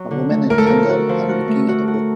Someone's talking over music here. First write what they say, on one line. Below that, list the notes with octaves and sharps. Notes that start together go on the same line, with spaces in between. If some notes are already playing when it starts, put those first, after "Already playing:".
A woman and young girl are looking at a book.
Already playing: F#3
D3
A3
A3 A#4
A4
F3 A#4
F#4
F3
F#4
A3
F#4
F#4